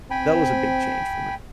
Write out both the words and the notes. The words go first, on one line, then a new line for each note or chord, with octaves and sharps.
that was a big change for me.
C4 G5 G#5 B5